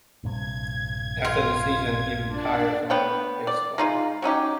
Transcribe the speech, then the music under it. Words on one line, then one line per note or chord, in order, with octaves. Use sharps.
After the season, he retired from baseball.
A#1 G2 C3 G#6
F4
D4 D5
B3 C#5 G5
D5
G#3 D#4 F4
F#3 C#4 D#4 G4